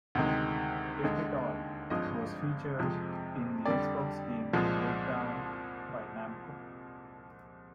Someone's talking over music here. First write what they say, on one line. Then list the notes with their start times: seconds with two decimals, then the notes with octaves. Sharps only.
"Take it All" was featured in the Xbox game "Breakdown" by Namco.
0.15 D2 C3 D#3 G#3
1.03 D#2 D3 G#3
1.90 G#1 G2 F3 G#3 D#5
2.79 F2 C3 F3 G#3
3.65 F2 D3 G3 D5
4.53 C2 A#2 F3 G#3